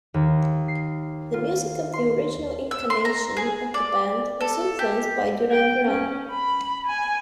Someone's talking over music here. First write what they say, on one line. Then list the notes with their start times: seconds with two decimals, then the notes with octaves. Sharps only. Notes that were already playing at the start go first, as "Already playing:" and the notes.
The music of the original incarnation of the band was influenced by Duran Duran.
0.14 D#2
0.68 C7
1.34 F4
1.93 C6
2.71 E6
2.90 C6
3.05 A#5
3.37 G#4
3.74 D5
4.41 A4
4.79 G4
5.51 G5
5.84 C#4
6.31 B5
6.86 G#5